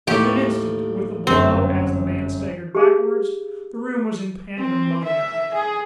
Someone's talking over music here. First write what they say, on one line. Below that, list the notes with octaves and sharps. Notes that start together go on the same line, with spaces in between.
In an instant, with the blow, as the man staggered backward, the room was in pandemonium.
D#2 A2 G4 A4 F5 C#6
G1 F#2 C4
G4 G#4 F5
C4
E5
G#4